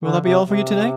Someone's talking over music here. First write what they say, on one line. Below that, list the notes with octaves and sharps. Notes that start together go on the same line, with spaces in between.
Will that be all for you today?
D3
C3
C3